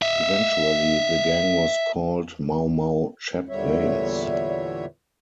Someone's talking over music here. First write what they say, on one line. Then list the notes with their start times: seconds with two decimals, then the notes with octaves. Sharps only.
Eventually the gang was called Mau Mau Chaplains.
0.02 D#5 E5
3.49 E2 A#2 D3 G3 C#5 E5